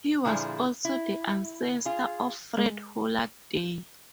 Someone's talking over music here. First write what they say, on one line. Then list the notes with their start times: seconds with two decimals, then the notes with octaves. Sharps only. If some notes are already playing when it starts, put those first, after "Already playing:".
He was also the ancestor of Fred Holland Day.
0.25 A#2 D3 F3 E4 G#4
0.85 E4
1.85 F4 G#4
2.57 G#3